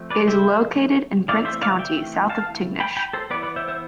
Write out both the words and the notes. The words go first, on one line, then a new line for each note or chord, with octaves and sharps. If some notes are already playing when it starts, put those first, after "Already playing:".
It is located in Prince County, south of Tignish.
Already playing: F3 A3 C4
B4 D5
C5 E5
E3 A3 C4 D5 F5
C5 E5
D5 F5
E5 G5
F5 A5
G5 B5
G5 B5
A4 C5
E3 B3 B4 D5
B4 D5
C5 E5
C5 E5